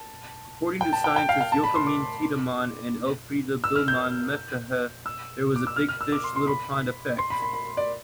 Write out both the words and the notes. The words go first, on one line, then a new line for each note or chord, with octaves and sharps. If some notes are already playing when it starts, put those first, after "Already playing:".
According to scientists Joachim Tiedemann and Elfriede Billmann-Mahecha, there was a big-fish-little-pond effect.
Already playing: A5
G5
A5
G5
G5
F5
F5
A5
B5
C6
D6
E6
F6
G6
E6
D6
E6
F6
F6
E6
D6
C6
C6
B5
C6
B5
B5
B5
D5